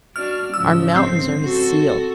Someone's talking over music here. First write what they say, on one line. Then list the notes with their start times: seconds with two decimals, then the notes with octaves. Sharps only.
Our mountains are his seal.
0.16 D4 F#4 D5 F6
0.54 G#2 C#3 F3 E6
0.96 C4
1.44 F#4 A4